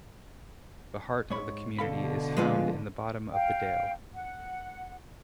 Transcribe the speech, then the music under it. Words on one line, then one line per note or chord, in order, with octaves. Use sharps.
The heart of the community is found in the bottom of the dale.
G#2 C#5 B5
B2 D3 A4 F5 B5
F3 G#3 B3 F4 D#5 F5
F5 G5
F#5